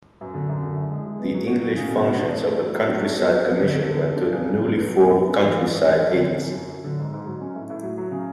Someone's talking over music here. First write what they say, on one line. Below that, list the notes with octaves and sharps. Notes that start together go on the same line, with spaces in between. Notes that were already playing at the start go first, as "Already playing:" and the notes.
The English functions of the Countryside Commission went to the newly formed Countryside Agency.
F#2
D3
F#2
D3
E4
G#3
G#3
B3
F#3
F#4
F#3
C#3
B2
B2
D4
A3
A3
F#3
F#3
D4
F#3
B3
F#3
B3
D3
A4
D3
A4
D4
C#3
A4
G#3
B3
F#3
B2
B3
D4
E3
E3
G#3
E2
D4
D3
D3
F#2
F#2
F#3
D3
G#2
G#2
F#3
C#4
A2
A2
F#3
F#3
C#3